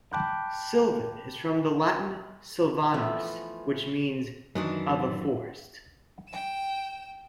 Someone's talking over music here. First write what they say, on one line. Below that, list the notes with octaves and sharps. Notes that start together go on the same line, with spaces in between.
"Sylvan" is from the Latin "sylvanus", which means "of a forest".
G5 A5 B5 D6 F#6 G6
E3 F3 A3 B3 C#4
F#2 D#3 E3 D4
G5 E7